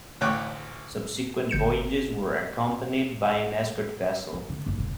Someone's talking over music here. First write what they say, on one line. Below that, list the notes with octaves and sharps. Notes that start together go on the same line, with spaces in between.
Subsequent voyages were accompanied by an escort vessel.
A1 D2 C#5 G5 D6 F#6
G1 G6 C#7 E7
F#3
D3 C4
G1
E1 D3